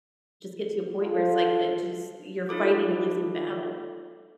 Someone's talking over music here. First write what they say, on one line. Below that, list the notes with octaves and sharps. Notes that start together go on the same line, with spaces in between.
just get to a point where it's like, it just you're fighting a losing battle.
F4 A4
D#4 F4 A4 D6